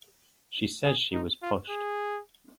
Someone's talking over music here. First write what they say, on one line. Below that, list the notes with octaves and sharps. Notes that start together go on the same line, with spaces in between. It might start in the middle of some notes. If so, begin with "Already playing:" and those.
She says she was pushed.
G#4
D#4
F4
G#4